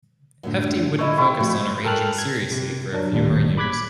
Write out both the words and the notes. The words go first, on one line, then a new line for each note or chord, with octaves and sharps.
Hefti wouldn't focus on arranging seriously for a few more years.
F#2 A2 D3
E4 A4 C#5 D#5
C4 E4 C#6
F3 A3 F#4
A4 A#4 G5 A5 F6 F#6
G#6
C3
F#3 D4
G#1 D#2 A#2 G3
B5 D6 F#6 G#6 B6